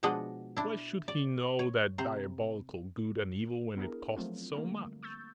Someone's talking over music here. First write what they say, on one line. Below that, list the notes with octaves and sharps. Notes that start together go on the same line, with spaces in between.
Why should he know that diabolical good and evil when it costs so much?
B2 F3 G#3 D4 D#5 F#5
D4 E4
D5
C#5
C3 C5 A#5
B3 D4 E4 G#4 A#4
F3 F#3 A3 C4 F4
D3 G3 A3 A#3
C#6 E6 G6 A6